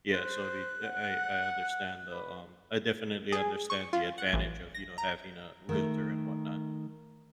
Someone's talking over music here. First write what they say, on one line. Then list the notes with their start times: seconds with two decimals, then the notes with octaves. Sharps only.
yeah, so, I mean, I I I understand the, um I definitely understand the advantage of, you know, having a realtor and whatnot,
0.13 C5 F#6
0.84 F#5
2.12 B4
3.32 G#4
3.70 C#6
3.93 F4
4.18 F#5
4.33 A1
4.75 A#6
4.98 A#5
5.69 D#3 A3